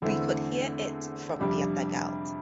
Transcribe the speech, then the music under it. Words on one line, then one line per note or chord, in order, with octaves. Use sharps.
We could hear it from their dugout.
E2 D3 A3 C4 E4
F2 C3 G3 D4 G4